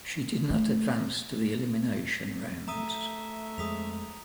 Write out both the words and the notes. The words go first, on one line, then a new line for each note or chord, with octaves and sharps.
She did not advance to the elimination rounds.
A3
A3 E5 A#5 D#6 D#7
F2 G#3 D#6 B6 F7